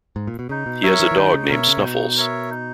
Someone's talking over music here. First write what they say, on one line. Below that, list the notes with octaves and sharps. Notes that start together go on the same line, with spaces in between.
He has a dog named Snuffles.
G#2
A#2
B2
C#3 D#4
B2
F#3 A#4 C#5 E5
E3
E3
D#3 D#4
C#3
B2 A#4 C#5 E5
C#3
A#2
B2 D#4
A#4 C#5 E5
D#4